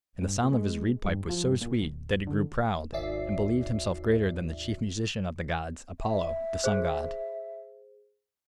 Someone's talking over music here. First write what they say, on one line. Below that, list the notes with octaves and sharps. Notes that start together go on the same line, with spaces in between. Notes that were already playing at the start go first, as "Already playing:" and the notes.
And the sound of his reed-pipe was so sweet that he grew proud, and believed himself greater than the chief musician of the gods, Apollo, the sun-god.
G2
A#2
G#3
G2
F3
G2
A#2
D1
D3
G#1 D#2 D5 E5 C7
E5
G#4 C5